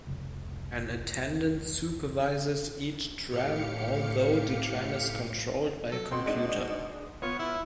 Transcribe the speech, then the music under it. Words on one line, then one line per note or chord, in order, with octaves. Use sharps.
An attendant supervises each tram, although the tram is controlled by a computer.
F1 C#2
A2 G4 F5 C#7
F#3 A4
B2 C4 C6
G#3 D4 D#4
B3 F4 C#5
E4